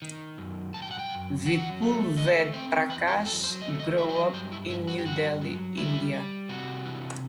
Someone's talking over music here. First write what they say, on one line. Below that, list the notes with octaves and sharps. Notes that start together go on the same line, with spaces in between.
Vipul Ved Prakash grew up in New Delhi, India.
D#3
F#2
F#2 A5
G5
F#5
G5
F#2
F#3 F#5
A3
A3 D#5
C4 C5
E2 B4
G4
F#3 A4
C5
A3 D#5
D#5
F#3 E5
C5
D#5
G2 C5
E4
G2 E4
F#4
G4
G2 F#4
F#3
G3 E4
G3
C3 F#4
E3